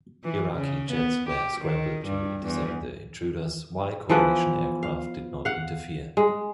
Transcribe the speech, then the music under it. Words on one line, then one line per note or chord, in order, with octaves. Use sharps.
Iraqi jets were scrambled to intercept the intruders while Coalition aircraft did not interfere.
E3
C#3
B3
G4
D#3
G2
E2
E3 F3 B3 B4
F5
F5 F#5
G#3